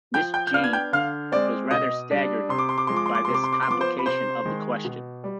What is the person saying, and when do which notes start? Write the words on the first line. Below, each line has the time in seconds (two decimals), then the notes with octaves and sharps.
Miss G. was rather staggered by this complication of the question.
0.14 F3 G5 G6
0.34 G5 G6
0.47 G6
0.53 B3 D4 F5 F6
0.64 G#6
0.73 G5 G6
0.93 D3 F5 F6
1.32 G#3 C4 D5 D6
1.71 B2 D#5 D#6
2.11 G3 D4
2.49 C3 C6
2.58 D6
2.69 C6
2.78 D6
2.87 F3 G#3 C6
2.96 D6
3.06 C6
3.15 D6
3.25 C3 C6
3.34 D6
3.44 C6
3.53 D6
3.62 C6
3.68 F3 B3 D6
3.81 C5 C6
3.99 B5
4.06 C3 C5 C6
4.45 D#3 G#3
4.85 B2
5.24 G3